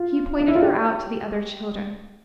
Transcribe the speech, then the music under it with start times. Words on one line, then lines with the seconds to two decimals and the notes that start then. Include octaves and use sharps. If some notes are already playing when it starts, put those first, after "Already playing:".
He pointed her out to the other children.
Already playing: F4
0.41 D4
0.48 E4
0.55 F4
0.63 G4